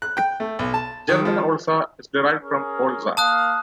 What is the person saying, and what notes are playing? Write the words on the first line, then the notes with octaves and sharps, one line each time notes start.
German "Olsa" is derived from "Olza".
F#6
G5
A3
B1
A5
D#3
F3
C#4 G#4 A#4
A#3 F5 A5 D#6 F#6